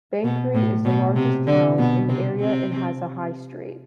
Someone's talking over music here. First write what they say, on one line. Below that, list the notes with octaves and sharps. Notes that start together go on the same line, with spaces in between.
Banchory is the largest town in the area and has a High Street.
B2
A2
B2
C3
D3
B2 B3
C3 C4
C3 C4